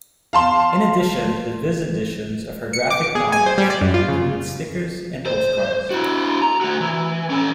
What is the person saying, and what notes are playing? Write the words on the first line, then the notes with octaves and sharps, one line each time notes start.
In addition, the Viz editions of her graphic novels include stickers and postcards.
F5 A5 C6
C#7
D6
G#4
G#5
C5
G3
D5
F#2
F4
C#3
C5
E4 F#4
A#5
A3 F#4
E3
C#4 A4